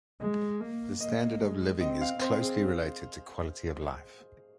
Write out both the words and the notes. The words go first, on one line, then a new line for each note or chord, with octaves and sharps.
The standard of living is closely related to quality of life.
G#3 D#5
A#3
A#3 D#5
G#3
C4 D#5
F5
C4 C5
G#4